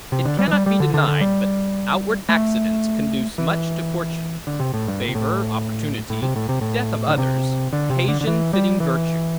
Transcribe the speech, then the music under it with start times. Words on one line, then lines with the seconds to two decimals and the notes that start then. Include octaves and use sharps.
IT CANNOT be denied, but outward accidents conduce much to fortune; favor, opportunity, death of others, occasion fitting virtue.
0.12 C3
0.25 D3
0.39 G3
0.48 E3
0.52 G3
0.66 G3
0.80 D3
0.94 D3
1.08 D3
1.21 G3
2.29 A3
3.38 E3
4.47 D3
4.60 C3
4.74 A2
4.88 G2
5.01 A2
5.09 C3
5.15 A2
6.10 A2
6.23 C3
6.36 A2
6.49 C3
6.61 A2
7.07 D3
7.18 C3
7.73 D3
7.90 C3
8.08 D3
8.21 D3
8.27 E3
8.53 G3
8.80 E3